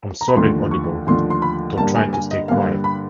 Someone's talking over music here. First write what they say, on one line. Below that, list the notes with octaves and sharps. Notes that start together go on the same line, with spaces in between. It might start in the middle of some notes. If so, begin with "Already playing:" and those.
I'm sobbing audible, though trying to stay quiet.
A#5
B5
D#2 D3 F3 A3 C6
C#6
D#2 D3 F3 A3 C6
C6
B5
G2 D3 G3 A#3 A5
G#5
G#5
D#5
G2 D3 G3 A#3 F5
B5